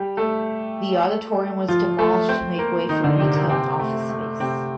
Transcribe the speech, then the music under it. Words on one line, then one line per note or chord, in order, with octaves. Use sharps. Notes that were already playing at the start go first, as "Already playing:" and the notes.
The auditorium was demolished to make way for retail and office space.
Already playing: G3 G4
A3 A4
F3 F4
A3 A4
C4 C5
A#3 A#4
D#3 D#4
D3 D4
C3 C4
A#3
C3 C4
A3
A3
C3 C4